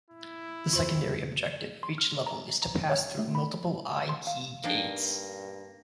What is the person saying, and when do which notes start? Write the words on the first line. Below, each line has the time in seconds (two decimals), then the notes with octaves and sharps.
The secondary objective of each level is to pass through multiple "Eye-Key" gates.
0.11 E4
0.73 E2 E3 F4 C5 C6
1.83 C6
1.98 F6
2.26 A#5
2.63 A#5
2.90 C#5
3.19 A3
3.35 B5
4.09 C6
4.27 F5
4.64 G2 A#3 D4 D#4 G4